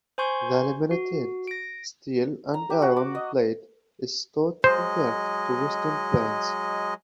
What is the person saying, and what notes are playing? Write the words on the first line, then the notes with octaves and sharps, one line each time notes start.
The laminated steel and iron blade is stout compared to western planes.
C5 G#5 C6 C#6 G6
F#4
A#6 D7
A#5
G4
F#4
D6
D#5
F#3 G#3 C5 D#5